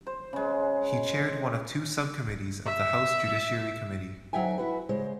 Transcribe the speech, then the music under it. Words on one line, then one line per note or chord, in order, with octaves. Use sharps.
He chaired one of two subcommittees of the House Judiciary Committee.
C5
C#3 G#3
E5
D2 F#3 D#4 E5 G5 G#5
E4 F#4 B4
C#3 G#3 C5